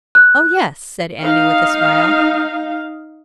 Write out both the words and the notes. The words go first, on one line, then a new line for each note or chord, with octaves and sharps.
"Oh yes," said Annie, with a smile.
F#6
D#4 F5